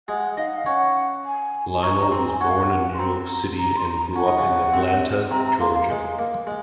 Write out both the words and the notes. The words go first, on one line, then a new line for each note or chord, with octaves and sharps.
Lionel was born in New York City and grew up in Atlanta, Georgia.
G#3 G#4 F#5
D#4 D#5 F5
F#5
F5
C#4 C#5 F#5
G#5
G#5
C#4 C#5 A#5
A#5
C4 C5 A#5
G#5
C#4 C#5 F#5
F5
F#5
C6
C4 C5 A#5
A#5
A#5
C6
A#5
C#4 F#5
D#4
C#3 C#4
C3 C4
C3 C4 A#5
A#5
A#3 C6
F5
G#3
A#3
G#3